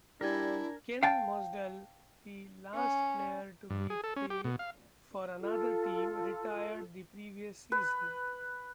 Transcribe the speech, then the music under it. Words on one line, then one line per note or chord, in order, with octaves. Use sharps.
Ken Mosdell, the last player to play for another team, retired the previous season.
G3 D4 E4 A#4 G#5
F5 G5 A5
C#4
G2
G#4
A4
C#4
G4
B2
F5
F4 A4
B4